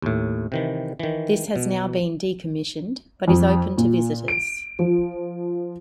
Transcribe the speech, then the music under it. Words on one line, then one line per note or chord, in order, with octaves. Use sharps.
This has now been decommissioned, but is open to visitors.
D#2 A2
C3 D#3 E3
D#3 E3
B2
F2
A#2
D7
F3